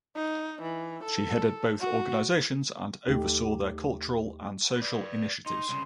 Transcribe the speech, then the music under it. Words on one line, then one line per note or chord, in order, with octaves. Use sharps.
She headed both organizations and oversaw their cultural and social initiatives.
D#4
E3
A4
F#4
D#2 A3 D#4 G4
B4 D5
D#4 C6
C2 C#3